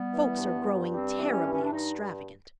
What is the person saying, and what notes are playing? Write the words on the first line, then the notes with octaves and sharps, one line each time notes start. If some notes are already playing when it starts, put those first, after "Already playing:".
"Folks are growing terribly extravagant."
Already playing: G3 B3
E3
G2
G2
G3 C4
E3
C#4
G2
C#4
D4
G2 D#4